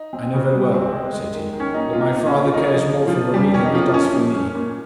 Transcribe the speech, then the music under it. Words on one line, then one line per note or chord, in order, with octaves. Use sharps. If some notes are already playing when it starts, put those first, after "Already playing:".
'I know very well,' said he, 'that my father cares more for Marie than he does for me.'
Already playing: D#4
C4
C#3
G3
C4
G#3
G#3
D#3
D#3
C#4
A#2 D#4
A#2 F4
D#4
A#2
C#4
A#2
F4
A#3 D#4
F3
C#3
F3 F4
A#3
F2 G3 G4
D#3 C#4
D#4
F3 C#4 F4
C#4
A#2
C#4
A#2